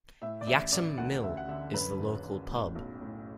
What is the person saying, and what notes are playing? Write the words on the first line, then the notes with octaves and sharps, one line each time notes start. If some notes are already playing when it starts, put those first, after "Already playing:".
Yaxham Mill is the local pub.
A2 E5
D5
A1 E5
A1 D5
D2 F#5
D2 E5
F#5
D3 E5
F#2 B4
F#1
F#1
A2
B1
A2